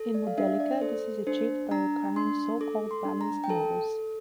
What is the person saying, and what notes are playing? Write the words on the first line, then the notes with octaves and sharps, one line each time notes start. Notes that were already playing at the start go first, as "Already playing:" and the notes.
In Modelica, this is achieved by requiring so called balanced models.
Already playing: A4
D5
F5
D4 E5
D5
A4 C5
D4 C5
D4 A#5
D4 C6
A4 D6
C6
D4
A#5
G5
A4 A5